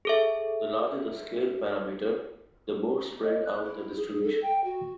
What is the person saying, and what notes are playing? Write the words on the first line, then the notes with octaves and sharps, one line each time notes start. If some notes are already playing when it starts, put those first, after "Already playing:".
The larger the scale parameter, the more spread out the distribution.
G#4 A4 E5
D#5
F#6
E4
G#4
A4
G5
F#4